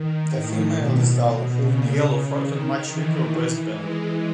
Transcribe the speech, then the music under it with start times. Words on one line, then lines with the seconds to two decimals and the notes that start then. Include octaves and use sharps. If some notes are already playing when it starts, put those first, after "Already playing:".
The female is duller, having a yellow throat and much weaker breast band.
Already playing: D#3
0.33 A2
0.76 B2
1.18 B2
1.61 C#3
2.46 D#3
2.89 E3
3.74 G#3